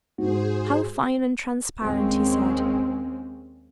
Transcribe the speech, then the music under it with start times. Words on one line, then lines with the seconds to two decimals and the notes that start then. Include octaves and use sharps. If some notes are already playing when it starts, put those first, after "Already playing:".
"How fine and transparent," he said.
0.18 G#2 F#4 G#4 C5
1.80 D#2 G#3 A#3 C4 C#4